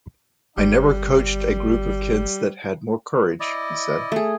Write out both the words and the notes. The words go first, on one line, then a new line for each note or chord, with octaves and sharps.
"I never coached a group of kids that had more courage," he said.
G1 G3
E4 D5 D#5
A3 G#4